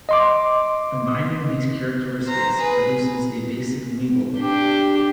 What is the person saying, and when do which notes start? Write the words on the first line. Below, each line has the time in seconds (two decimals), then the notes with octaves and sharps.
Combining these characteristics produces a basic Weeble.
0.09 D#5 C6 D6
2.25 C5 A#5
2.59 G#4 B4
4.36 D4 G4